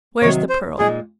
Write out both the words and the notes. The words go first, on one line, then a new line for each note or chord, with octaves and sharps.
Where's the Pearl?
C3 D#3 F#3 C#5
C5
A#2 G#3 D#4 G#4